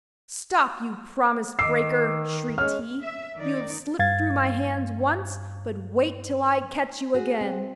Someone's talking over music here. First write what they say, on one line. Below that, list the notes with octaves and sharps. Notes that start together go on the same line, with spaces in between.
'Stop, you promise-breaker,' shrieked he; 'you have slipped through my hands once, but wait till I catch you again!'
D#3 D#5 D6 E6 C7
G#3 C#4 F6
E5
D#3 D#4 D5
G2 F5 G#6 A6
F#4 G#4
C4